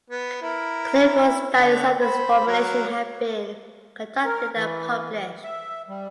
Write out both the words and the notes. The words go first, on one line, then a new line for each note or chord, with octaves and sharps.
Clinical studies of this formulation have been conducted and published.
B3
E4 A#4
D3
C5 B5
F#3 A#4
A#4
E3
E5
G3